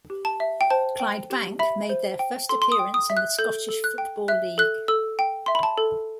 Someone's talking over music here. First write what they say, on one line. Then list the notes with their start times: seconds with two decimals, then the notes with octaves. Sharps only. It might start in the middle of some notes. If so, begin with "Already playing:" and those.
Clydebank made their first appearance in the Scottish Football League.
0.10 G4
0.25 A5
0.40 E5
0.61 G5
0.70 C5 A5
1.00 G5
1.30 G4
1.59 E5 B5
1.89 C5
2.19 G5
2.49 A4 C6
2.62 C6
2.72 D#6
2.79 G5
2.94 D#6
3.10 E5
3.17 F#6
3.39 A4 G6
3.69 A4
3.84 F#6
3.98 G5
4.28 E5 F#6
4.58 A4 F#6
4.88 A4 E6
5.19 G5
5.46 E5 C6
5.55 B5
5.63 A5
5.78 A4